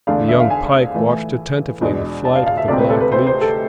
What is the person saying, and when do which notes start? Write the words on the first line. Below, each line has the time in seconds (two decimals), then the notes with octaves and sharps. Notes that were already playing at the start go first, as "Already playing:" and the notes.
The young pike watched attentively the flight of the black leech.
0.07 E2 D3 A3 D4 F4 F5
0.28 E5
0.40 F5
0.50 G#5
0.94 A2 E3 A3 E4
1.81 E2 B2 G#3 D4
2.25 A5
2.35 F5
2.46 F5
2.57 E5
2.68 D2 C3 G#3 C4 D5
2.79 B4
2.90 A4
3.00 B4
3.12 C5
3.27 C5
3.41 A4